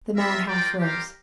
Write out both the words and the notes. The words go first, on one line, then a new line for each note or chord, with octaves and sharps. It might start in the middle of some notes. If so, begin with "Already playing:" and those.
The man half rose.
C4 F4 A#4 E5
F4 A#4 D5 G5
G3 C4 G4 A#4 F5